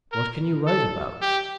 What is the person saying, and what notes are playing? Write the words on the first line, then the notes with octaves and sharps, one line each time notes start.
What can you write about?
A#4
A4
G4